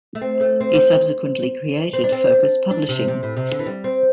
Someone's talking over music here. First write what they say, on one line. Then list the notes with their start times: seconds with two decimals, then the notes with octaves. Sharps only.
He subsequently created Focus Publishing.
0.15 A3
0.21 C4
0.40 A3
0.60 C4
1.93 C4
2.04 D4
2.12 C4
2.32 D4
2.71 D4
2.89 C3
3.08 C3
3.23 A2
3.37 C3
3.51 D3
3.59 E3
3.66 G3
3.84 C4